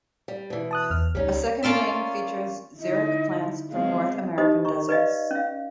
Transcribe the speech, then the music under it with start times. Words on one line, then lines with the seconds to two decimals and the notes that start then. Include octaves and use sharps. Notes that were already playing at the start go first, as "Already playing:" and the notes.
A second wing features xeric plants from North American deserts.
0.28 G3
0.50 B2 E3
0.71 A5 D#6 F#6
0.90 E2 F6
1.15 C#2 G3 C#4 D#4
1.63 A#3 C#4 F4 D5 E5
2.79 D3 D#4 E4 D#5
3.70 G#3 B3 C4 F5
4.38 D#4 G4 C5 D#5 D#6
4.65 A#5 C#6
4.89 B4 D5 D#5 F5
5.31 C#4 F5